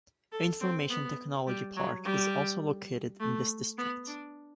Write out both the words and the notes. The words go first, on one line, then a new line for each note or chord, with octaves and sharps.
Information Technology Park is also located in this district.
A4
C4
B3
G3
F#3
G3
A3
B3
D4